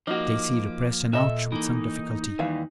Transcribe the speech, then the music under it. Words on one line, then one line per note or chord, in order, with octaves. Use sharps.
Stacy repressed an "ouch" with some difficulty.
F3 A#3 D#4 F#4 D6
A#2 A4 D#5 E5
E3 A#3 D#4
D#2 E3 G3 F5